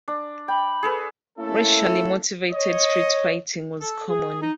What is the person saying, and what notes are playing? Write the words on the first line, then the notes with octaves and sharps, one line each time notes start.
Racially motivated street fighting was common.
D4
G5 B5
G#4 A4 B4
A3 A#3 C#4 E4 A4
C#5 D#5
A4
G#4
D#4